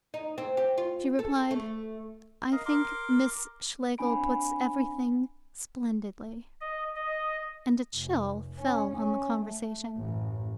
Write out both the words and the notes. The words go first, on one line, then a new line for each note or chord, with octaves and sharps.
She replied: "I think Miss Schlegel puts everything splendidly"; and a chill fell on the conversation.
D#4
C4
G4
F4
A4
A3
A#4 D#5 F5
A#4 C6 D6
C4 D4 G#5 B5 D7
D#5
D#5
F1
C#4
C#4
A3
A1 F#2